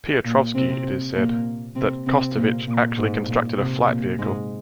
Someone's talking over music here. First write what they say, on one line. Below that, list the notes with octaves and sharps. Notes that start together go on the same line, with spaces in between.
Piotrovski it is said, that Kostović actually constructed a flight vehicle.
A#2
C3 C4
A#2 A#3
C3 C4
C3 C4
A#2 A#3
A#2
G#2
A#2
C3
A#2
G#2 G#3